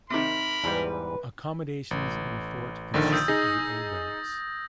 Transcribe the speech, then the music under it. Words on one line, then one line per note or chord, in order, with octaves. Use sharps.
Accommodation in the fort consisted of the old barracks.
C3 D#3 A#4 B5
E2 G#2 G3 B4
A1
A#1 D3 D#3 A6
D#6 E6 G6
D#4 G#4 D#6 A#6